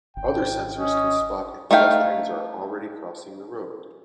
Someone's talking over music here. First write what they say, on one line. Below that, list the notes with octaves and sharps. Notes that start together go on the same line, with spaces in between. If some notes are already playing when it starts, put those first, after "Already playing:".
Other sensors can spot if pedestrians are already crossing the road.
G#1 G5
C#4 D#5
A3 D#4 F5 G5